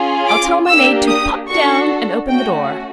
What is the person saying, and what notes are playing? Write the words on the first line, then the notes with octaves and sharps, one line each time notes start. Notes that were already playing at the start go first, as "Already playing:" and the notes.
"I'll tell my maid to pop down and open the door."
Already playing: C#4 F4 G#4
D6
A#3 D4 G4 E6
D#6
D4 F#4 A4 C#6
A3 C#4 F#4 G5